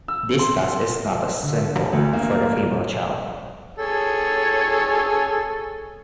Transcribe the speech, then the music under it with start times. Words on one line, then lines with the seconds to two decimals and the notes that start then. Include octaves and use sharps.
This task is not as simple for the female child.
0.08 E6
0.39 C6
1.43 D3
1.93 D2
2.13 A#3
3.78 G#4 A4 C#5